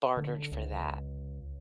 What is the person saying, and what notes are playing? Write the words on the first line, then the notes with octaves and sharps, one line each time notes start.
bartered for that.
D3
C#2